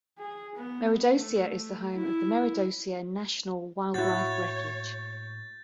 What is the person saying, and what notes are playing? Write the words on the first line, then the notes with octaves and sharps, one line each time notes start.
Meredosia is the home of the Meredosia National Wildlife Refuge.
G#4
B3
A3
E4
A2 A#3 E4 F#4 C#5 G6 A6